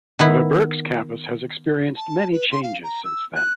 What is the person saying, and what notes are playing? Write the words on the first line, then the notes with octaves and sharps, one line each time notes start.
The Berks campus has experienced many changes since then.
D#3 B3 E4
A5
B4
C6
F5
A#5
E6
F#6